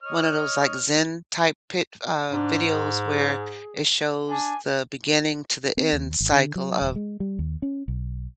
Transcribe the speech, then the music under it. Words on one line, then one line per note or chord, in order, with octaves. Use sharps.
one of those, like, zen-type pic uh, videos where it shows the beginning to the end cycle of
C#5 D#5 F6
G#2 D4
G#4
D4 G#5
C4
D#2
G#1
D3
F#3
D#1
G#3
G3
D#2
C#4
B1